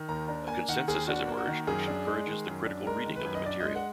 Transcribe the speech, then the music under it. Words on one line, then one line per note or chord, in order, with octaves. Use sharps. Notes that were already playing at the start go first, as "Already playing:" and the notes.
A consensus has emerged which encourages the critical reading of the material.
Already playing: D#3
D#2 A#5
D4 A#5
A#3 G#5
D#3 F#5
D#2 G#4
D4 F#4
A#3
F#4
D#3
F#2 G#4
D4
G#3
D#3
F#2
D4
G#3 A#4
D#3
B4
F#2
D#5
D4 D5
D#5
G#3
F#5